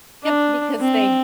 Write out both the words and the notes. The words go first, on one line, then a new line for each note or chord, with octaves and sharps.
Yep, because they h
D4
C4